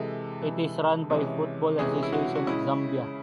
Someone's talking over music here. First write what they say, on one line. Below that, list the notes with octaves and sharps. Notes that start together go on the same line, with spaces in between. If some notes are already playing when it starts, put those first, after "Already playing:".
It is run by the Football association of Zambia.
Already playing: C3 E3 G#3 A4
C3 E3 G#3
C3 E3 G#3 C#4
C3 E3 G#3 C#4 G#4
E4
F#4
F#4
C#3 G#3 C#4 E4